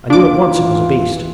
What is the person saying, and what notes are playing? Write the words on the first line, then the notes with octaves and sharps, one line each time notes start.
I knew at once it was a beast.
D#2 E3 D4 F4 D6